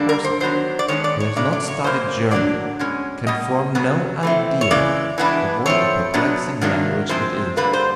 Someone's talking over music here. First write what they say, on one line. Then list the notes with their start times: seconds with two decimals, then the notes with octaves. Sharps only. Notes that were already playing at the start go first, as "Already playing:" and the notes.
A person who has not studied German can form no idea of what a perplexing language it is.
Already playing: D3 G3 A#3 D4
0.09 A#4
0.24 C5
0.40 D#3 F#3 B3 D4 C5
0.79 D5
0.88 D#3 G#3 B3 D4 C#5
1.04 D5
1.20 C#5
1.36 C#3 F#3 A3 D4 D5
1.53 D5
1.68 C#5
1.84 B2 F#3 A#3 C#4 C5
2.31 D3 F#3 A#3 D4 D5
2.79 B2 G#3 C#4
3.27 B2 G3 D#5
3.75 C#3 F#3 B3
4.23 E3 A3 C4
4.61 C#5
4.71 C#3 E3 G#3 D5
5.18 E3 G#3 B3 D4
5.66 F3 A3 C4 C#5
6.14 B2 F#3 B3 D4
6.61 C3 D#3 F#3 A#3 D4
7.09 C3 F3 G#3 C4 C5
7.57 D3 G3 A#3 B4
7.73 C5